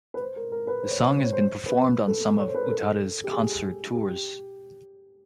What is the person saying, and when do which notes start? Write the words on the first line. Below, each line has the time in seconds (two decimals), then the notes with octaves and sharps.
The song has been performed on some of Utada's concert tours.
0.14 B4
0.21 C5
0.36 A#4
0.52 A#4
0.67 B4
0.83 C5
0.91 C#5
0.99 C5
1.08 C#5
1.16 C5
1.24 C#5
1.32 C5
1.45 C5
1.66 B4
2.07 A4
2.40 C#5
2.47 C5
2.55 B4
2.63 A#4
2.70 A4
3.24 G4
3.32 G#4
3.94 G4